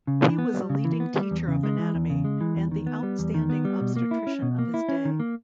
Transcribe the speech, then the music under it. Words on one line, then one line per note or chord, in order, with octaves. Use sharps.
He was a leading teacher of anatomy, and the outstanding obstetrician of his day.
C#3
E3
B3
G3
C#3
E3
B3
G3
E2
C#3
G#3
E3
E2
C#3
G#3
E3
E2
D#3
B3
G3
E2
D#3
B3
G3
B2
A#3
E4
C#4
B2
A#3
E4
C#4
D#3
A#3